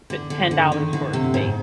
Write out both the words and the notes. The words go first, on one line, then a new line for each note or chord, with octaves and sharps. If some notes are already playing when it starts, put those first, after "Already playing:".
t ten dollars for a steak.
D3
D3
D3
D#3
D3
C3
G#2